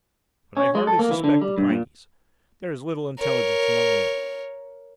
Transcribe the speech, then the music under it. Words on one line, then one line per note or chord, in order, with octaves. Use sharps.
But I hardly suspect the Pineys. There is little intelligence among them.
C#4
G#3
A4
A#3
E3
D3
G3
G2
A#2
A#4 C#5